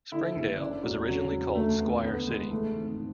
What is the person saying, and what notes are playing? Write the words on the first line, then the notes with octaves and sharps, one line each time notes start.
Springdale was originally called Squire City.
D3 E4
F#1
C#3 D4
E1 F#3
C#3 F#3
E1
D2 A3
D2 B3
D3 B3
F#1 G#3
E3 A3
G#1